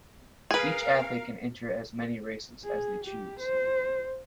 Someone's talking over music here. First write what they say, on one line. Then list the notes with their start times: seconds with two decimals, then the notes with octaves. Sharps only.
Each athlete can enter as many races as they choose.
0.51 G#4 A#4 B4 F5
2.64 G#4
3.04 G4
3.40 C5